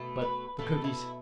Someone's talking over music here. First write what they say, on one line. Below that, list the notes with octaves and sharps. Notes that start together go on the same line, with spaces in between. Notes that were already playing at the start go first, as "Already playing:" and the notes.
But the cookies!
Already playing: B2 A3
B4
B2 A3 A4
E4